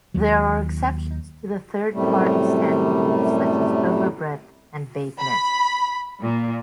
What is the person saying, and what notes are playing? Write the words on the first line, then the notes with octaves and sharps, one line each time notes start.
There are exceptions to the Third Party Standing rule, such as overbreadth and vagueness.
D#2 F#3
F#2 A2 C3 G3 A3
B5
A#2